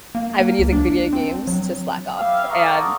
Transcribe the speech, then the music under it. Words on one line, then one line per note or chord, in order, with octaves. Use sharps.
I've been using video games to slack off, and,
A#3
A#3
C#2
D4
C4
F#3
B3 G4 E5 F5
A4 D5 F#5 A#5 C#6 D#6